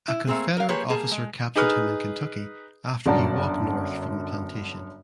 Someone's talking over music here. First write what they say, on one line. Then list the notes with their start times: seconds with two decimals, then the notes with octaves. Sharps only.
A Confederate officer captured him in Kentucky after he walked north from the plantation.
0.08 E4
0.27 A3 A#3 C4 G#4
0.57 A#4 F5
0.69 F3 A#3 G4 G#4 B4 C#5
0.90 G3 A#3 G#4 A5
1.11 G#3
1.56 D#4 G#4 B4 D#6 F6
3.06 G1 F#2 D5 F#5 A5 A#5